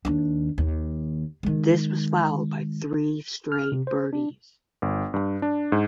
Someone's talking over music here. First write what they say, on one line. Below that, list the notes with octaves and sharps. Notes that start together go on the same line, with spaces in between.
This was followed by three straight birdies.
D#2 D4
D#2
D#3 G#3
F6
C3
C5
D4
G1
G2
D4
G#2